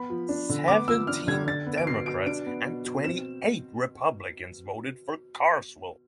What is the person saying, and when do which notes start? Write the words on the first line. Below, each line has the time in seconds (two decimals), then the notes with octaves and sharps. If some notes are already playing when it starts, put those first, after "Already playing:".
Seventeen Democrats and twenty-eight Republicans voted for Carswell.
Already playing: B3 B5
0.10 F3
0.29 D4
0.49 D3
0.68 B3 D6
0.88 F3 E6
1.07 D4 F6
1.27 D3 G#6
1.47 D4 A6
1.66 B3
1.78 D7
1.86 B2 C7
2.06 B2 D7
2.26 D4 D7
2.46 B3
2.65 B2
2.85 B2
3.04 C4 E7